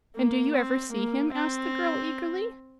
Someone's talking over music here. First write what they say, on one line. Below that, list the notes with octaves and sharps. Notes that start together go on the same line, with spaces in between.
"And do you ever see him?" asked the girl, eagerly.
A#3
C4
A#3
C4